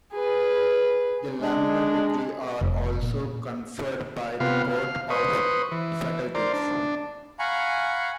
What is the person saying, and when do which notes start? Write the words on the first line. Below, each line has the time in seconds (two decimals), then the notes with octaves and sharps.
The Lambeth degrees are also conferred by the Court of Faculties.
0.13 G#4 B4
1.41 G#3 D4
2.61 F1
3.03 A#2
4.40 C3 B3 F4 F5
4.76 F5
5.10 B4 C5 C#6 D#6
5.71 E3
6.35 A#4 C5 D5
6.53 D4
7.39 F5 F#5 G#5 A#5 B5 C#6